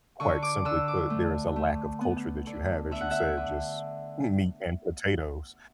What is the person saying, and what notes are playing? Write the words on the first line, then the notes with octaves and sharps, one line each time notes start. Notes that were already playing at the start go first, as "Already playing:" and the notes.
quite simply put, there is a lack of culture that you have, as you said, just m meat and potatoes,
D3 C#6
D6
D3 E6
D6
A3
A3
B3
D3
D3 E5
F#5
E5
D3